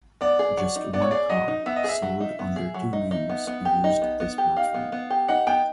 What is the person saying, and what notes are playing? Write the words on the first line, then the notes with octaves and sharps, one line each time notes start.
Just one car, sold under two names, used this platform.
B3 D5
G#4
F#3
D#4
B3 D5
C#5
G#4 D5
F#3 D#5
D#4
B3 E5
D#5
G#4 E5
F#3
D#4
B3
G#4
F#3
D#4
D#4
B3
B3
G4
D#4
B3
B3
G4
D#4 F5
B3
B3
G4
D#4 F#5
B3 G5